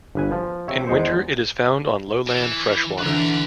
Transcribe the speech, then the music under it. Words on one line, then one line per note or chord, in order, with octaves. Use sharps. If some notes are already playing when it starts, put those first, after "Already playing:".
In winter it is found on lowland fresh waters.
G1 B4 G#5
F3
C3 C#5 E5
E2 G#3 C5
E3
D3 E3 B4 A#5